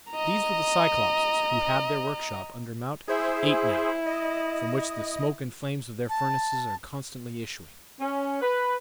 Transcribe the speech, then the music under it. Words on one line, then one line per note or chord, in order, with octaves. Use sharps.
These were the Cyclopes, who have their workshop under Mount Aetna, from which the smoke and flames of their furnaces are constantly issuing.
D#5 A#5
E4 G#4 C5 E5
D#5
A5
C#4
B4